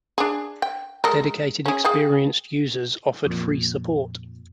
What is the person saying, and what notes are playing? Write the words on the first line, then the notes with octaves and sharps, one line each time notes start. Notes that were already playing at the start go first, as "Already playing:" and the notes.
Dedicated experienced users offered free support.
D4 G#4
G5
G#3 A4 A#4
C#4 G#4
G#4 F5 G5
F2 A#2